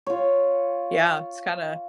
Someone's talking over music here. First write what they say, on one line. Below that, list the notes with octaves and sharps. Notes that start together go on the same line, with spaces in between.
Yeah, it's kinda
F4 C#5